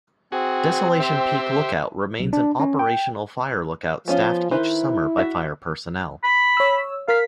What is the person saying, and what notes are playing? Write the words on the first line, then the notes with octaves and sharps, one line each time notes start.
Desolation Peak Lookout remains an operational fire lookout staffed each summer by fire personnel.
C4 F#4 G#4
G4 C5 E5
B1
D4
C#4
G5
F3 B3 C#4 F4
D#3 E4 B4 C5
F#4 E5
B5
C#5 E6
A#4 F5 B6